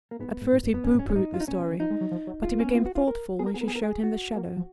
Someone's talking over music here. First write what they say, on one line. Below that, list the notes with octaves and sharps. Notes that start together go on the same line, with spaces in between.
At first he pooh-poohed the story, but he became thoughtful when she showed him the shadow.
A#3
G#2 B3
G#2
G#2
F#2
F2 B3
F2 C#4
G#2
C#4
F#2
C#4
G#2 D#4
F#2 F4
D#4
A#2 C#4
B2
D#3
F3 D#4
G#3
F#3
F3
F#3
G#3 F4
A#3
B3 C#4
F4
F#4
F4
A#4
B3 G#4
A#4
B3 G#4
A#4
G#4
A#4
G#4
F#4
A#3
F3